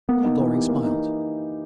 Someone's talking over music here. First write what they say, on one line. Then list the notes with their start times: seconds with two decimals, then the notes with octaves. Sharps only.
Lord Loring smiled.
0.09 A#3 B3
0.24 D#4
0.39 E3
0.54 G4
0.69 A#3
0.84 D#4